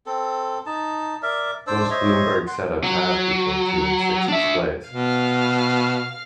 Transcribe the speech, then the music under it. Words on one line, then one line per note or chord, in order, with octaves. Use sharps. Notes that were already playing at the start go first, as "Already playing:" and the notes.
Most Bloomberg setups have between two and six displays.
C4 A4
D#4 A5
A#4 D5 E5
D4 C5 D5 E6
C5 C#5 D#5 E5
F#5 C6
F#3
D4 E5
B2 F5 F6